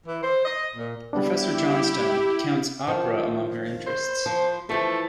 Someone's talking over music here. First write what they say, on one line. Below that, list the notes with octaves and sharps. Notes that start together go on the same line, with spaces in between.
Professor Johnstone counts Opera amongst her interests.
E3
C5
D#5
A#2
G3 B3 D4 E4 G4
D#3 F3 F4
C5
F3
E3 F3 A3